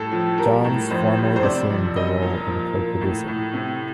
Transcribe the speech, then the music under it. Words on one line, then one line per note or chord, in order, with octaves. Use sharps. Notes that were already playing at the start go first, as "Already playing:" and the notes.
Johns formally assumed the role of a co-producer.
Already playing: A2 G3 A4
F3
G3 A#4
A2
F2 C5
G3
C5
C3 D5
F2
G3 D#5
A#2
F3
A#2
A2
A2
C3